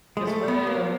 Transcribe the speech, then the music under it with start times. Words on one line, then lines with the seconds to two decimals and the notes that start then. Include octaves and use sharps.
Yes, ma'am.
0.17 G#3
0.27 A3
0.48 B3
0.67 A#3